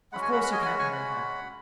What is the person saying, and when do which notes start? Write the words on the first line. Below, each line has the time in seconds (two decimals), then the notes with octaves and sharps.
Of course you can't marry her.
0.12 G#3 C#4 F#4 F#5 B5
0.22 G#5 C#6
0.32 F#5 B5
0.43 F#5 B5
0.52 D#5 G#5
0.62 G#5
0.65 F#5 B5
0.79 G#5 C#6
0.92 F#5 B5